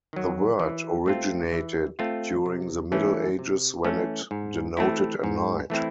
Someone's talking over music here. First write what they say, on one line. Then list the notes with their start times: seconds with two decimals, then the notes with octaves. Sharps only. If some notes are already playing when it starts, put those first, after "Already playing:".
The word originated during the Middle Ages when it denoted a knight.
0.13 D#3 F#3
0.59 E3
1.06 A3 C4 F4
1.52 E3
1.99 A3 C4 F4
2.46 C3
2.92 E3 A3 C#4
3.39 C3
3.84 E3 A3 C#4
4.31 G#2
4.77 E3 A3 C4 E4
5.24 G#2
5.70 E3 A3 C4 E4